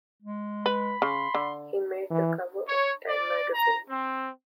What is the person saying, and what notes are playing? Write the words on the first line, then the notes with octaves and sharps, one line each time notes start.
He made the cover of "Time" magazine.
G#3
B4 B5
C#3 C6
D3
E3
C#5
D5
A#5
C4